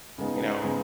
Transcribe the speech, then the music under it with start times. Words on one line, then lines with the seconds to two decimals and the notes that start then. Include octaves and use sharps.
you know?
0.18 C#3 G#3 B3 D#4
0.63 C#3 G#3 B3 D#4